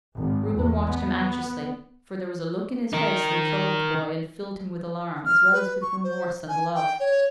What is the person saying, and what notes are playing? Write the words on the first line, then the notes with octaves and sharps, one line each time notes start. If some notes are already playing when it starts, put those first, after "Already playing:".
Reuben watched him anxiously, for there was a look in his face that troubled the boy and filled him with alarm, as well as with remorse and love.
G#1
E2
B3
D#4 A#4
F6
B4
C#6
C5
G#5
G5
C#5